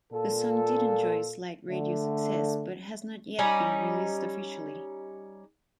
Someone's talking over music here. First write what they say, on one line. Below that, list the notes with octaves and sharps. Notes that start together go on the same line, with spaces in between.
The song did enjoy slight radio success, but has not yet been released officially.
A#2 F4 A4
D3 A3
G3 C#4 D#4